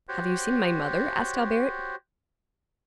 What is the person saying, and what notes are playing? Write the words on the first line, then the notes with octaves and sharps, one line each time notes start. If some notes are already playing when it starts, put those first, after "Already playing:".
"Have you seen my mother?" asked Albert.
F#4 G4 C5 C#5